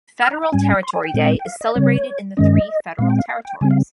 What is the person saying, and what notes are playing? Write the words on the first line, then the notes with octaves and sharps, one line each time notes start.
Federal Territory day is celebrated in the three Federal territories.
F6
A#5
G5
G#2 G3 C#4 G#5
C6
G#5
G5
A#2 G#3 C4
G5
F5
D#5
C#3 G3 C4 C#5
G2 D#3 G#3 C#4 D#5
A#2 G#3 C4 F5
G5
F5
F5
G5
C#3 G3 C4 G#5
F5